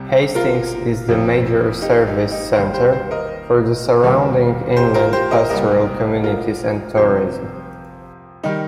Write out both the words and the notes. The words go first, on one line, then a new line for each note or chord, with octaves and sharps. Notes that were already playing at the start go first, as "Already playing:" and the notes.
Hastings is the major service centre for the surrounding inland pastoral communities and tourism.
Already playing: C2 C3 G3
F4 A#4
F2 F3
D#4 G4
D#4 G4
D#4 G4
D#2 D#3 G3 G4 C5
G4 C5
G4 C5
A#4 D#5
D#2 D#3 G3
G4 C5
F4 A#4
G4 C5
A#4 D#5
C2 A#2 G3 A#4 D#5
F4 A#4
F2 C3 F3 G4 C5
D#3 G3 D#4